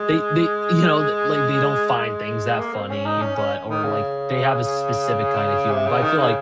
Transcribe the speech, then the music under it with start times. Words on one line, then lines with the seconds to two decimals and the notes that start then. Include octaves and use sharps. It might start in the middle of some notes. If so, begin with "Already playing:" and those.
they they, you know, like, they don't find things that funny, but or, like, they have a specific kinda humor, but I feel like,
Already playing: G#3
1.96 G#3
2.59 A#3
2.74 C4
2.90 C#4
3.06 D#4
3.21 C#4
3.37 C#4
3.68 D#3
3.83 C#3
5.71 C3
5.87 C#3
6.02 D#3
6.18 C#3